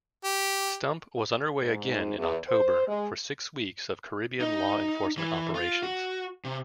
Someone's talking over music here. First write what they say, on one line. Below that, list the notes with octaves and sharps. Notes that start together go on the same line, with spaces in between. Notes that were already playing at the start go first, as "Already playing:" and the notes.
"Stump" was underway again in October for six weeks of Caribbean law enforcement operations.
G4
G#2
E2
C5
G#3
D#4
E3
F4
F#4
C3